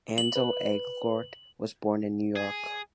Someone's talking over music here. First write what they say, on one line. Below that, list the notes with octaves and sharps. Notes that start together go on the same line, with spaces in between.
Ansel Elgort was born in New York.
F#7
B4
G#4